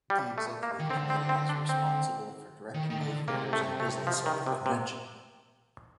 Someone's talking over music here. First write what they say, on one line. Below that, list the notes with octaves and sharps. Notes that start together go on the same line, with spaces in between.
The executive committee is responsible for directing the affairs and business of the convention.
G3
A3
A#3
D#3
D3 C4
C4
C4
D4
C4
D#3
D#3
D3
C3 A#3
A3
A3
F3
D#3
C3
C3